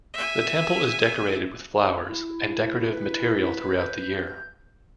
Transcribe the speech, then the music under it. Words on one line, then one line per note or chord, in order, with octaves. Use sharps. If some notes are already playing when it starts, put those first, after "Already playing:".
The temple is decorated with flowers and decorative material throughout the year.
E5 G#5
E4
B4
G6